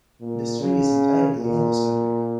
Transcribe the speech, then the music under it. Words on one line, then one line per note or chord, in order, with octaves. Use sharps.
This tree is entirely endocentric.
A#2
C#3
A#2